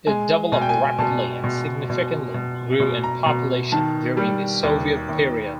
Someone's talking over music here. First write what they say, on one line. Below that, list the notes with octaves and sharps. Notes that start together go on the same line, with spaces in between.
It developed rapidly and significantly grew in population during the Soviet period.
G#3 G#5
B2 G#5
G5
G#5
B2 A5
B2
B2
B2
B2
A#5
B2 A#5
D#3 A5
G3
D#2
D#2